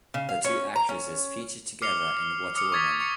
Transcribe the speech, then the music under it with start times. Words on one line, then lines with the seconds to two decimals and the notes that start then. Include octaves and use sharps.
The two actresses featured together in What a Woman!
0.14 C#3
0.29 F5
0.45 C#4
0.76 A#5
0.89 C#4
1.82 D6 F6 C7 C#7 F7 G7
2.08 F6
2.56 D6 D#6 F6 C#7
2.72 C#6 D#6 G#6 A6 B6
3.01 C#6 C#7